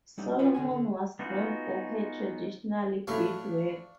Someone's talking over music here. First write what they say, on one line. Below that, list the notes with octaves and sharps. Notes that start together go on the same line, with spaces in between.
Solomon was known for her traditional beadwork.
F#3 G3 D#4
F4 F#4 G#4 B4
D3 C4 G#5
D3
B3 D#4 F4 F#4 G#4
A2 F#3 D4 F5 C#6